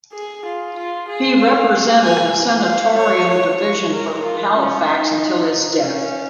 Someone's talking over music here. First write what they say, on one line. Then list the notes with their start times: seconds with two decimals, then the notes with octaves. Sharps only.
He represented the senatorial division for Halifax until his death.
0.13 G#4
0.45 F4
0.76 F4
1.08 G#4
1.39 F5
2.02 G#5
2.66 F5
2.97 C#5
3.29 C#5
3.60 C#5
3.92 A#4
4.23 F4
4.55 C#4
4.87 D#4
5.50 D#4
5.81 C#4